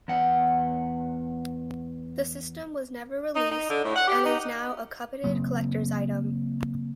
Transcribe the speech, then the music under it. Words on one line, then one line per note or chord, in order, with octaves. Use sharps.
The system was never released, and is now a coveted collector's item.
E2 F#5
D#4
D#4
D3
A2
F#5
G4
D#4
C#3 F#3 A#3 C4